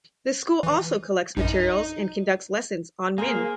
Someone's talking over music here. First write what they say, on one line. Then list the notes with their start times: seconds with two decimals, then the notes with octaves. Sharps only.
The school also collects materials and conducts lessons on Min.
0.63 E3
1.37 A#1 F#2 D#4 D#5
3.18 A#3 G#4 A#4 C5